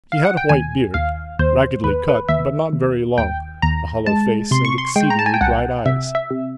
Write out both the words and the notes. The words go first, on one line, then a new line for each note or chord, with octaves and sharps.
He had a white beard, raggedly cut, but not very long, a hollow face, and exceedingly bright eyes.
F5
F#5
G5
D#2 G#5
D#2 F5
D#2 C5
D#2 B4
B4
D#2 E5
D#2
D#2 G5
D#2 A#5
G#3 A5
C3 C6
C#6
C6
G#3 G5
A#5
A5
G#5
G5
C2 F#5
C3 E5
E5
C3